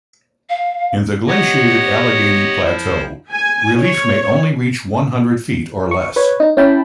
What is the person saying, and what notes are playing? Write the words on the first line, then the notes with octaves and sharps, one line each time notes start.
In the glaciated Allegheny Plateau, relief may only reach one hundred feet or less.
F5
B3 F#4 G4 C#5 D#5 F#5
F3 E4 C5
G#5
C#5
C#6
B4 C#5
D#4
C#4 E4 G5 A5 B5